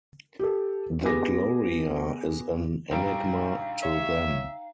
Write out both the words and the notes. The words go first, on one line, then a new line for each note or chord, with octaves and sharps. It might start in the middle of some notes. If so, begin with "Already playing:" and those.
The "Gloria" is an enigma to them.
G4 A4
B3 G4 G#4 D6 A#6
A#1 G3 D#4 F5 G5 A#5 D7
C#5 E5